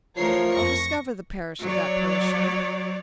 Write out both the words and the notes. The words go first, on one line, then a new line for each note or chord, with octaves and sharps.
I'll discover the parish of that parishioner.
E3 F3 A3 A#4 C#5 C7
F2 C#6 A#6
F#3 C#5 D5